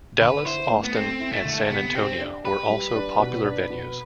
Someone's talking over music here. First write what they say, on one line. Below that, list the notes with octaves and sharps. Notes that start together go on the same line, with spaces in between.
Dallas, Austin, and San Antonio were also popular venues.
D3 B4
E4 C5
A3
B3
C4 A4
E4
A3
D3
C3 B3
C4 G4
D4
G4 B4
G3
D4
B2
D4
B2